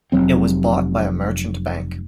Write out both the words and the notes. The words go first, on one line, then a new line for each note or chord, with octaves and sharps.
It was bought by a merchant bank.
F1 D#2 F#3 C4